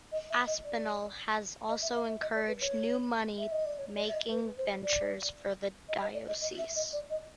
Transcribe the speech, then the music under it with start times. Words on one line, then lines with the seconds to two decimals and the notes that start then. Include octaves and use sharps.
Aspinall has also encouraged new money-making ventures for the diocese.
0.12 D#5
0.30 E5
0.47 D#5
0.64 D5
1.69 D#5
1.82 E5
1.96 E5
2.08 E5
2.22 D#5
2.35 D5
2.48 B4
2.61 C#5
3.38 E5
3.52 D#5
3.65 D5
3.79 C#5
3.96 D5
4.09 E5
4.14 D#5
4.31 B4
4.58 C5
4.84 D5
5.89 D#5
6.02 D#5
6.14 D5
6.28 D#5
6.41 D#5
6.58 E5
6.76 D#5
6.93 D5
7.10 D#5